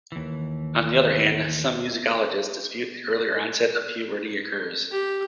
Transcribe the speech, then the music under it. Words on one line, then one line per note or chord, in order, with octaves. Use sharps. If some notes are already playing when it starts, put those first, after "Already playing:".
On the other hand, some musicologists dispute that earlier onset of puberty occurs.
D#2 E3
G4